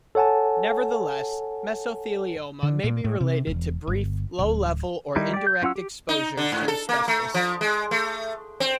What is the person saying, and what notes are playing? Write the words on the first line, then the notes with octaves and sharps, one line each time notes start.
Nevertheless, mesothelioma may be related to brief, low level or indirect exposures to asbestos.
A4 C#5 F#5 G#5 A5
D3
A#2
A2
C3
E1
G1
D1
D#3 G3 D#4 E4
G4 D5
G6
F#3 C#4 F4 F#5 E6
G4
D#4
D3
G#2
A4
A#3
A3
F3
G#3
A3
C4